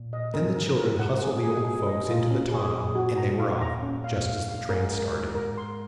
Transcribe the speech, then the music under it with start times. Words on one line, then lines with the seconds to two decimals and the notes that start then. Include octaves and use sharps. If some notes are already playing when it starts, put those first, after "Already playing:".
Then the children hustled the old folks into the tonneau and they were off, just as the train started.
Already playing: A#2
0.13 D#5
0.34 G#2 C3 A#4
0.55 A#4
0.78 A#4
0.99 F#5
1.21 G#4
1.42 G#4
1.65 G#4
1.86 D#5
2.09 A#2 F4
2.31 C#4
2.51 G#4
2.74 G#4
2.95 F#4
3.17 A#5
3.39 F5
3.61 A#5
3.83 C#4
4.04 F5
4.26 F5
4.48 F5
4.69 G#2 A#4
4.91 A#4
5.13 A#4
5.35 A#4
5.58 C6